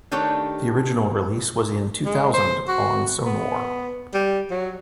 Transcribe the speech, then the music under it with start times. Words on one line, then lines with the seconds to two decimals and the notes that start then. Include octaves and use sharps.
The original release was in two thousand on Sonore.
0.12 D#3 A3 D4 G4 C#5
2.05 G#3
2.33 C5
2.68 F#4
3.25 B3
4.13 G3
4.51 F#3